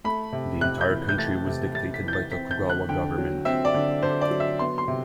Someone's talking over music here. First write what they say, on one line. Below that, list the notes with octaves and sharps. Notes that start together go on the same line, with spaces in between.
The entire country was dictated by Tokugawa government.
A3 B5
C3
C3 F#6
G6
E3
G6
A3 A6
C3
C3 A6
B6
E3 G6
A6
C4 B6
G6
D3
F#6
D3 G5
F#3
C4 E5
D5
D3
D3 C5
D5
F#3
E5
B3 C6
C6
C3